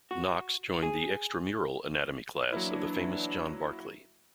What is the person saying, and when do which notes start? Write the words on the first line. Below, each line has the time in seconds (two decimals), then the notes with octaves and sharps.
Knox joined the "extramural" Anatomy class of the famous John Barclay.
0.11 F#4
0.83 G#4
2.52 E3 F#3 A#3 D4 E4